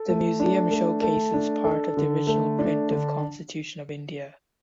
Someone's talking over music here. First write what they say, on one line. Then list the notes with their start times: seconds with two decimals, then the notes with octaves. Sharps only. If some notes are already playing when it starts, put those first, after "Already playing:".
The museum showcases part of the original print of constitution of India.
Already playing: A4
0.09 A3
0.40 D4
0.71 A3
1.02 A3
1.34 D4
1.64 A4
1.97 D3
2.27 A3
2.59 D4
2.91 D3